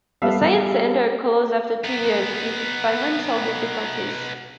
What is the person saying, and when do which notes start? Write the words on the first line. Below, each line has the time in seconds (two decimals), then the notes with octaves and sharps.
The Science Center closed after two years due to financial difficulties.
0.22 G3 B3 A4 E5 F5
1.84 B3 D#4